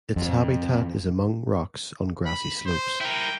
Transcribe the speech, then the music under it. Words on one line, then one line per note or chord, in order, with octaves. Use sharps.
Its habitat is among rocks on grassy slopes.
F2
B5
C5
E4 A#4 G5